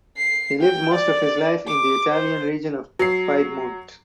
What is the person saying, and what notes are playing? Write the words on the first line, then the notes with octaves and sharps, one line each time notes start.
He lived most of his life in the Italian region of Piedmont.
C7
G5
D5
D6
C5
F#3 C7